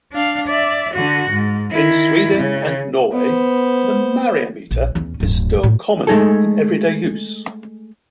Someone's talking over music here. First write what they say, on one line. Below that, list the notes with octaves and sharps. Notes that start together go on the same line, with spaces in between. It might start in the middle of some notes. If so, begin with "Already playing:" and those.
In Sweden and Norway, the "myriametre" is still common in everyday use.
D4 F5
D5 E5
D3 F#4
G#2
D#3 E4
C#3
B3 C5
A#1
E2 C#4
D1 G2
A2
G#3 A3 D#4 G#4 A4